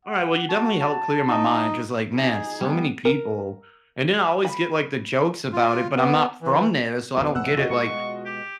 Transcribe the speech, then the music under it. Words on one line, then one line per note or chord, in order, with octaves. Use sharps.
Alright. Well, you definitely helped clear my mind ‘cause, like, man, so many people and then I always get, like, the jokes about it, but I'm not from there, so I don't get it. Like,
F#5
F#4 A5
A5
D#4
D#4 G#4
G3 B3
A#4
B5
F4
B3
E3
D#2 B2 F#3 B3
F1 E2 A2 F#5 E6 F#6
F4 F#4 D#5
B2 G#3 C#6
G4